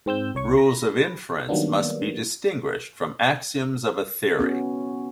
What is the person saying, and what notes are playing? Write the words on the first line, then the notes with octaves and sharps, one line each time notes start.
Rules of inference must be distinguished from axioms of a theory.
G#2 C4 E6 G6
C2 C#5 C#6
B5 A#6
D#3 F#3 G3 A#3 B3 D4
B3 C#4 F#4